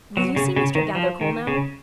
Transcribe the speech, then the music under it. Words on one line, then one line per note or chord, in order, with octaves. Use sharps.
"Will you see Mr. Gathercole now!"
F#3
C#3
C#3
D#3
F3
D#3
C#3